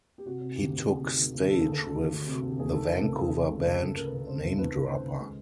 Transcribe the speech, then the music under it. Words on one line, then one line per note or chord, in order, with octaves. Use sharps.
He took stage with the Vancouver band Namedropper.
G4
C3 F#4
C3
D2 G4
D2
G4
C3 G#4
D#3
D#3
D2
D2 A4
D2 G#4
A4
D2
D2
D2
C3
F#4
D2 G4
D2 G#4
D#3 A4
C3 A#4
C#2 A4
C#2 G#4
C#2 G#4
C#2
G#4
C#2 A4
C#2
C#2 A#4
B4
C#2 A#4
C3 C5
C#2
D#3 B4
C#2
C#2 C5
C#2
G#3